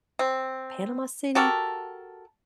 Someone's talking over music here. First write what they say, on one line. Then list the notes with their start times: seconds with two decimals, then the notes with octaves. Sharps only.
Panama City,
0.19 C4
1.35 F#4 G4 A4 A#4